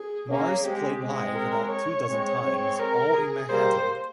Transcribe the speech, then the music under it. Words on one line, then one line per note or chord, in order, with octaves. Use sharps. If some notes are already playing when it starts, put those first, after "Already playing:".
Mars played live about two dozen times, all in Manhattan.
Already playing: G#4
A#3 C#4 G#4
G#3 C4 G4
G#3 C4 G#4
A#4
C#5
G#3 C4
G#3 C4
A#4
G#4
G3 A#3 C5